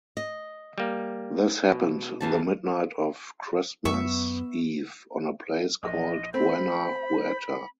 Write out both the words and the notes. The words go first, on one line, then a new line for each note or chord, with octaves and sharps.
This happened the midnight of Christmas Eve on a place called Buena Huerta.
D#5
G3 A#3
B2
E2 E3 A5
F#2 B3 E5 C#6
A#1 D#5
A3 C4 C5 B5